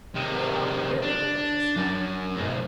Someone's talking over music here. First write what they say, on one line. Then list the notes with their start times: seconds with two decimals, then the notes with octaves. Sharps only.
They are really delicious.
0.15 C3 D#3
1.02 D4
1.76 F#2
2.37 B1 G#2